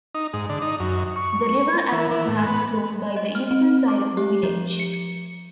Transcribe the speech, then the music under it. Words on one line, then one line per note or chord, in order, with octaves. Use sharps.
The River Avon runs close by the eastern side of the village.
D#4
G#2
D3
D#4
F#2
C#6
E3
E3
A2
B3
D#5
F6
C4
D6
G4
F3
C#7